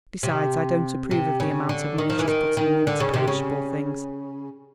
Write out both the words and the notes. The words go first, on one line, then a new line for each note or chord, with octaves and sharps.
Besides I don't approve of the amount of money she's putting into perishable things.
C3
C3
C#3
D3
D#3
F3
E3
D#3
D#3
D3
C#3
C3
C#3